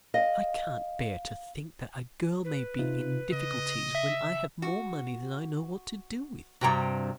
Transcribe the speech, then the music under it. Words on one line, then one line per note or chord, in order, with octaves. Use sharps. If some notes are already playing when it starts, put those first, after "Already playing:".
I can't bear to think that a girl may be in difficulties when I have more money than I know what to do with.
D#5 F5
B4
C3 D#4 F4
C#3 D#5
E5
F#4
G2 C3 F#4 G5 A#5